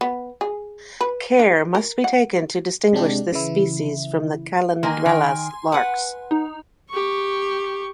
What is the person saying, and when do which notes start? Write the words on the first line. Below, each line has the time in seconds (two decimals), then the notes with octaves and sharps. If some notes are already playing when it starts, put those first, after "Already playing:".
Care must be taken to distinguish this species from the "Calandrella" larks.
0.01 B3
0.41 G#4
1.01 B4
1.39 D4
1.75 A#4
2.04 F#5
2.93 C3 G#3 D4 G4
3.32 C#3 E3 E4
4.83 D#3 A#3 G#5 C6
5.06 D#3 G5
5.72 B4 F#5
6.31 D#4
6.90 G4 C#6